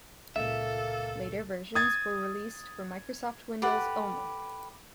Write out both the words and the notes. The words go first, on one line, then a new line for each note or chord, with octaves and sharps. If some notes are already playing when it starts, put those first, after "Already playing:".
Later versions were released for Microsoft Windows only.
C#2 A#2 A#3 A4 E5
D#6 G#6 A6
G4 A4 B4 F#5